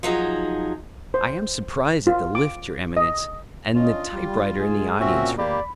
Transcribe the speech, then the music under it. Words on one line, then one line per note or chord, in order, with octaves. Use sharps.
"I am surprised at the lift, your Eminence, and the typewriter in the audience-room."
F3 F#3 D#4 G#4
C5
F4
D6
D#5
C#4 D4 F4 D#5
G3
G#3 G#4
A#2 C4 C#4 F#4 E5
A#3 G4 D5 B5